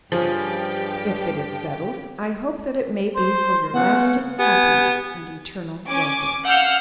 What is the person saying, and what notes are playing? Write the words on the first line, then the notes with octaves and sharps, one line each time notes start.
"If it is settled I hope that it may be for your lasting happiness and eternal welfare."
G2 F3 G4 G#4 C#5 G#5
C5 C6
C#3 B3 F#5
B3 G4 G#5
C#4 G#5 D6
F5 F#5 E6 F6 G6 C#7